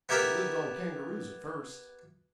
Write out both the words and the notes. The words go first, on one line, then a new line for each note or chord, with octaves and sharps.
They lived on kangaroos at first.
B3 E4 G4 A#4 E5